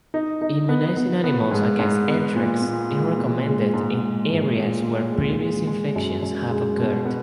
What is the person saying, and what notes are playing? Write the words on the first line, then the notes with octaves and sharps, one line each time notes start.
Immunizing animals against anthrax is recommended in areas where previous infections have occurred.
D#4
D#4
B3
B3
B3
G#2
G#2
B3
A#2
A#2
G#3
A#2
G#3
G#2
G#3
G#2
A#2
G#3
G#3
G#3
G#3
F#2
F#2
G#3
B2
B3